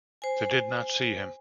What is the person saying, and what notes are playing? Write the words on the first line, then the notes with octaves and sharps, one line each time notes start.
They did not see him.
C5 G#5